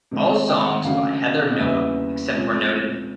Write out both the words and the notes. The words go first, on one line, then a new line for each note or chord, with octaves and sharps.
All songs by Heather Nova, except where noted.
C3 D#3 G#3
G5
F#5
D2 C#3 F#3 F5
D#5
E2 C#3 E3 G3 A#3 E5
C3 F3 G#3